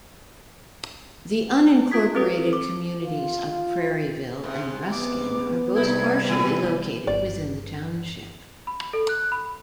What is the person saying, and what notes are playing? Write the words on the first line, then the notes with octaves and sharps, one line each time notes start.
The unincorporated communities of Prairieville and Ruskin are both partially located within the township.
F4 D#6 G#6 B6
C4 A4 B4 D#6
C5
D6
F4
G#2 C3
B3 D6
C3 G3 G#3 D#4 E4 G#6
D#3 G#5
G1 D5
B5
A4
F#6
B5